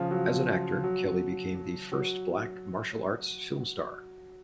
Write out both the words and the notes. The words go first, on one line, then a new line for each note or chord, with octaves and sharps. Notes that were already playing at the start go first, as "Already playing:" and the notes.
As an actor, Kelly became the first Black martial arts film star.
Already playing: C#3 F3
F#3
F#3
F#3